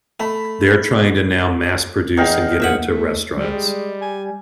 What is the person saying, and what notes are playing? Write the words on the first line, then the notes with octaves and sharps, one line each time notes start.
they're trying to now mass-produce and get into restaurants,
A3 B5
E2 D#4 F5 G5
A#1 E5 F#5
A3
G3 G#3
G#5